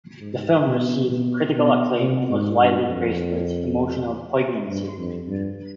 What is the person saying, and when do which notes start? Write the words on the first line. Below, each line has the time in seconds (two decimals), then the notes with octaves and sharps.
The film received critical acclaim and was widely praised for its emotional poignancy.
0.21 G#2
0.65 B2
1.10 B2
1.55 B2
2.00 C3
2.29 G#2
2.59 G2
2.89 F2
4.68 G2
4.98 F2
5.28 G2